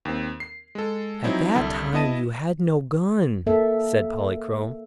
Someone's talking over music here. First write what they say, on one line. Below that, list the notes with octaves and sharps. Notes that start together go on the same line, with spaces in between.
"At that time you had no gun," said Polychrome.
D#2 C4
C7
G#3 A4
F3 F#3 C4 D#4 E4
C2 D3 E5 A5
B3 E4 D#5 A5 D#7
A#3 A4 E5